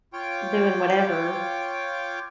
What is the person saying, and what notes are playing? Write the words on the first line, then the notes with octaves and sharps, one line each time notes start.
doing whatever,
F4 C#5 G5 D6